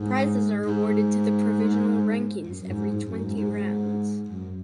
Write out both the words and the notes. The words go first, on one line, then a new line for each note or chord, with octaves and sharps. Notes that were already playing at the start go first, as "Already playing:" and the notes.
Prizes are awarded to the provisional rankings every twenty rounds.
Already playing: G#2
G#2
F#2
F#2
G#2
G#2
F#2
G#2
G#2
F#2